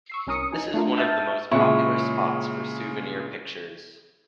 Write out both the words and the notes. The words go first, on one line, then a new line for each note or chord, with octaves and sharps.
This is one of the most popular spots for souvenir pictures.
C#6 E6 C7
C2 C#4 A#4 D#6 C#7
D#4 G#5
A3 D4 F4 A#4
E5 A5 E6 F6 G6 A6
A#2 C#3 G#3 E4 C#5